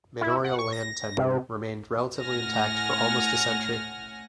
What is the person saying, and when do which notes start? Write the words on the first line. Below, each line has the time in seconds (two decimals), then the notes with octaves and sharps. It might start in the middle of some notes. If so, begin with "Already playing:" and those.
Manorial land tenure remained relatively intact for almost a century.
0.21 E4
0.44 F#5
0.59 C#6
0.73 A#6
1.18 C3
2.21 A2 F#5 G#5 F6 A#6